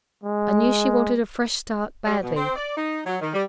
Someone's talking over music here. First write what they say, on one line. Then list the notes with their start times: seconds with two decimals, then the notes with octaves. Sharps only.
I knew she wanted a fresh start badly.'
0.24 G#3
2.06 G3
2.23 B2
2.36 C4
2.56 D5
2.77 D#4
3.06 F#3
3.20 D#3
3.34 G3